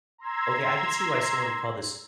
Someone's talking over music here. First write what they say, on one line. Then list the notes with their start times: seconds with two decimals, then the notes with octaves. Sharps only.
"Okay, I could see why someone would call this
0.18 A#5 C6 E6 G#6